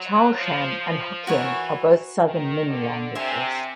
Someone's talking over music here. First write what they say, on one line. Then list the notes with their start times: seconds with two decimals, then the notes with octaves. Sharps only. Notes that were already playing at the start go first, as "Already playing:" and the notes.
Chaoshan and Hokkien are both Southern Min languages.
Already playing: F#3 C5
0.33 F3
0.80 F3
1.27 E3 F#4 A#4 C#5
2.22 D#3
2.68 D3
3.15 C3 C5 E5 G#5